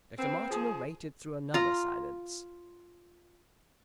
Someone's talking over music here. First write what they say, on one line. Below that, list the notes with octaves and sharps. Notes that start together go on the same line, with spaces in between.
Dr. Martineau waited through another silence.
B3 C4
F3 G#4
F4 A#5